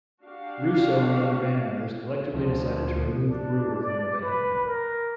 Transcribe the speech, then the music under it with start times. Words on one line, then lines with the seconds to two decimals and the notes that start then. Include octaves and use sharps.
Russo and other band members collectively decided to remove Brewer from the band.
0.24 D4 F#4 G4 F5
2.33 D2 F3
3.29 D4
3.81 D5
4.22 B4
4.64 A#4